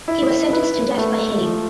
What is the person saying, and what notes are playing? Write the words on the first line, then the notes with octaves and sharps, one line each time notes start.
He was sentenced to death by hanging.
E4
B4
A3
F3